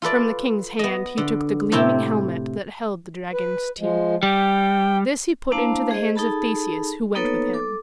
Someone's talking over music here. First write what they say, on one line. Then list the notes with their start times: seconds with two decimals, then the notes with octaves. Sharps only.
From the king's hand he took the gleaming helmet that held the dragon's teeth. This he put into the hands of Theseus, who went with him.
0.02 F4 A4 B4 D5
0.79 B3 D#5
1.18 D3
1.72 A2 C3 E4 G4
3.33 B4
3.79 F3 G#3
4.23 G3 G5
5.52 A#3 D4 E4 C5 F5 A5
5.91 G#4 C5 D#5
6.15 D#4 G#4 A4 A5 B5
7.15 A#3 B3 D#4 A4 B4 C#5
7.54 A4 D6